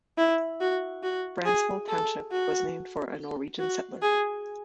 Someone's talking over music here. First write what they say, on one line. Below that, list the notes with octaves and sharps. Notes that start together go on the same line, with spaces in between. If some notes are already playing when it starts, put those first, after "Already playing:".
Brandsvold Township was named for a Norwegian settler.
E4
F#4
F#4
G#4
A4
F#4
F#4
G#4